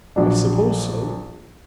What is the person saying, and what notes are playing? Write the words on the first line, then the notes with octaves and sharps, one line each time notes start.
I suppose so.
A#1 F#3 D4